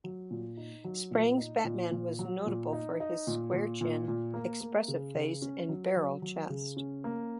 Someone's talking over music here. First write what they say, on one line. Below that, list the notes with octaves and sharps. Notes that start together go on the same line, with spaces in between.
Sprang's Batman was notable for his square chin, expressive face and barrel chest.
F#3
A#2
D#4
F#3
A#2
D#4
A#2
A#2
F#3
A#2
D#4
D#4
A#2
A#2
A#2
A#2
A#3
A#3
C#3
C#3
C#4
F#3
F#3
F#3
C#3
C#4
A#3